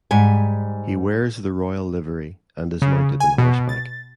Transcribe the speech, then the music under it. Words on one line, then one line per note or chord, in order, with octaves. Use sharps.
He wears the royal livery and is mounted on horseback.
G#2 G3 G#5
C#3
G#5
B2
B2
A6